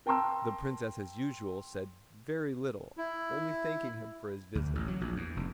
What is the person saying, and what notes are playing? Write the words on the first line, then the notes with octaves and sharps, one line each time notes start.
The Princess, as usual, said very little, only thanking him for his visit.
A#4 G5 A5 A#5 C6 E6
E4
D2
A1
F#3
A#1
E2
F1